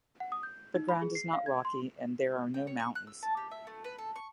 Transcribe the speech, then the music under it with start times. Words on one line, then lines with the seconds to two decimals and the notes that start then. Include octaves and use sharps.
The ground is not rocky and there are no mountains.
0.20 F#5
0.32 D#6
0.43 G6
0.74 D#4
0.89 B5
1.02 G#4
1.15 C7
1.33 F5
1.46 G#6
1.65 C6
2.54 G5
2.67 C#5
2.79 C#6
2.95 F#6
3.07 E6
3.23 A5
3.37 G4
3.51 E5
3.67 A3
3.84 B4
3.98 A4
4.16 C#6